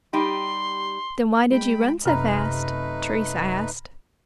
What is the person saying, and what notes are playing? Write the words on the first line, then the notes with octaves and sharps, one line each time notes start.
"Then why did you run so fast?" Teresa asked.
G3 D#4 G4 C6
G#3 G5 B5
F#2 C3 A3 D#4 B4 A#5 B5 F6